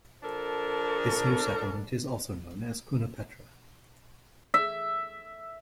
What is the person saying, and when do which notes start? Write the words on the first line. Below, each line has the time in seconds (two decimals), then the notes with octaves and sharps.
This new settlement is also known as Kounopetra.
0.23 F3 D4 A4 A#4
4.54 E5